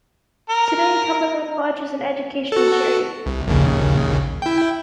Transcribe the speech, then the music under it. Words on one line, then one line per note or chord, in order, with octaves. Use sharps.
Today Cumberland Lodge is an educational charity.
A#4
F#4 A4
C2
A#1 D#2 C#3
E4 G5